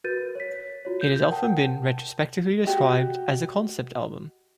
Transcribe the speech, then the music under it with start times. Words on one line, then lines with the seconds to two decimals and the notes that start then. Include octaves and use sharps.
It has often been retrospectively described as a concept album.
0.04 F#4 A#4 B4 G6 A6 D#7
0.35 C#5 B6
0.85 F4 F#4 C#5
1.01 G6
1.16 G6
1.31 A#4 F#5 G5 A5
2.65 F#4 G4 D#5